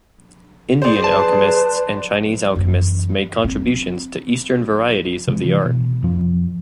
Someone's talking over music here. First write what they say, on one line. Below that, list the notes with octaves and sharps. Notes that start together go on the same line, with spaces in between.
Indian alchemists and Chinese alchemists made contributions to Eastern varieties of the art.
G#4 C5 D5
B4 A5
F#2 E3
C4
C3 E3 G3 G#3
E3
B2
F2 F3